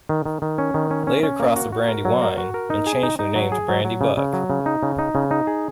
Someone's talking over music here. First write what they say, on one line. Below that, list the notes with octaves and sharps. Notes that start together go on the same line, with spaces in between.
Later crossed the Brandywine and changed their name to Brandybuck.
D#3
D#3
D#3
C#4
D#3
C#4
C#4
C#4
A#3
F#4
F#4
A#4
F#3
A#4
F#4
A#4
D#4
G#4
D#4
D#4
F#3
G#4
F#3
F#3
C#3
C#3
F#3
C#3
D#4
C#3
D#4
C#3
D#4
G#4